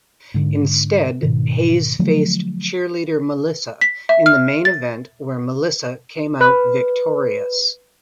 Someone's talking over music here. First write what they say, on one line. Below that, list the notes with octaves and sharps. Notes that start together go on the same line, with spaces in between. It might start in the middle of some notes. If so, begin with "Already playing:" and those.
Instead Haze faced Cheerleader Melissa in the main event where Melissa came out victorious.
G#2 D3
G#2 B2 D#3
D3 F3 F#3 A3
B6
E5
F6
A6
B4 B5 F#6